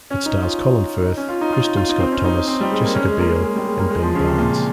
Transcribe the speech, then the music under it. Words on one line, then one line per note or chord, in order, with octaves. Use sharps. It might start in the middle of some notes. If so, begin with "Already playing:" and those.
It stars Colin Firth, Kristin Scott Thomas, Jessica Biel and Ben Barnes.
C#4
D#4
F4
D#4
C#4
F4
D#4
F4
D#4
F4
D#4
C4
C#4
D#4
D#4
C4
G3
G#3
A#3
C#4
G#3
A#3
G#3
G3
G#3
A#3
G#3
F3
C#3
C3
A#2